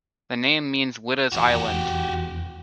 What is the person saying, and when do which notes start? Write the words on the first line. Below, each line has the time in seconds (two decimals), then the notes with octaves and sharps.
The name means "Witta's island".
1.32 E1 F2 E3 F#4 G4